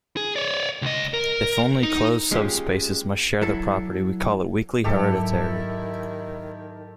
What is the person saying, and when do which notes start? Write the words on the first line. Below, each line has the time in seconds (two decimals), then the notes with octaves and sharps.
If only closed subspaces must share the property we call it weakly hereditary.
0.17 G#4
0.36 C#5 D5
0.82 C#2 D#5
1.14 A#4
1.83 D#4
2.32 G#3 C#4 F4 G4
3.42 F#3 E4 A4
4.84 G#2 D#3 F#3 E4 G4 A4